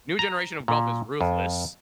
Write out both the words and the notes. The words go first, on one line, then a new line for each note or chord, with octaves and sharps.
New generation of golf is ruthless.
A#5
A#2
F2